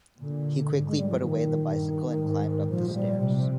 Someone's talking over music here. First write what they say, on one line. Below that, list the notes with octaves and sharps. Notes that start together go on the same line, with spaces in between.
He quickly put away the bicycle and climbed up the stairs.
A#2 D3
G#2
G#3
G3
F3
A#2 D#3
G2
G#2
A#2 F3
G#3
G3
C3 G3
F3